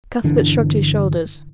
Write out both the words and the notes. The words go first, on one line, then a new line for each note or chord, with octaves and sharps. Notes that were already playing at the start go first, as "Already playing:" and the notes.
Cuthbert shrugged his shoulders.
G1 D3 E3 D4